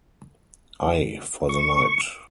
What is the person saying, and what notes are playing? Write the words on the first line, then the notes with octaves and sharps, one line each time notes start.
Ay, for the night.
C#6